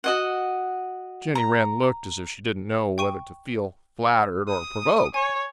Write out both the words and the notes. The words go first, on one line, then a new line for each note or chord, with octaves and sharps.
Jenny Wren looked as if she didn't know whether to feel flattered or provoked.
F#4 D#5 F#5
A#5
G5 C#6 D#7
D#6
C#5 G#5